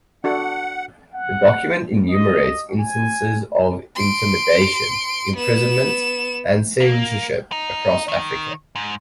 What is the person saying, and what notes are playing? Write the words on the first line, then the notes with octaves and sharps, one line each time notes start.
The document enumerates instances of intimidation, imprisonment, and censorship across Africa.
D4 F#4 A4 F#5
F#5
D#5
G#5
C6 D7
B3 E7
A#3
D#4
D#3
G#2